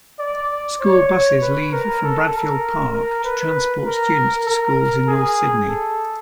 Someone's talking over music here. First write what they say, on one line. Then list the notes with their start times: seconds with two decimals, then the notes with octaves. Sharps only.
School Buses leave from Bradfield Park to transport students to schools in North Sydney.
0.19 D5
0.80 C#5
1.42 B4
1.72 A#4
2.03 A4
2.33 A#4
2.94 A#4
3.24 B4
3.85 A#4
4.46 A#4
5.08 G#4
5.69 A4